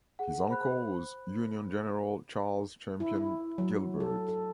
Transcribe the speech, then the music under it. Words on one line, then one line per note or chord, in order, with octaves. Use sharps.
His uncle was Union General Charles Champion Gilbert.
G#4 F#5
C5 B5 F#6
E4
E4
F#3
A4
A4